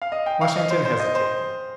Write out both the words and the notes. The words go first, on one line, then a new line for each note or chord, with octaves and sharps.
Washington hesitated.
F5
D#5
G5
F5
D#5
C5
C5
D#5
C5